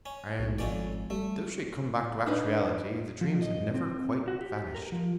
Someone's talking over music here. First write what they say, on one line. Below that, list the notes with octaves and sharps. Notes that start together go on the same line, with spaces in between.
And, though she had come back to actuality, the dreams had never quite vanished.
C#4
B1
G#1 F2 C#4 D5
G3 A3
D4 D#4 B4
F3
D#5
C4
F#4
G4
A#4
F3